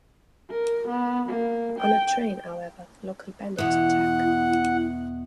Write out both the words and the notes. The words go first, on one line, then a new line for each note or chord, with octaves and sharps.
On a train however, local bandits attack.
A#4
B3
A#3
G5
E2 B2 E4 F#5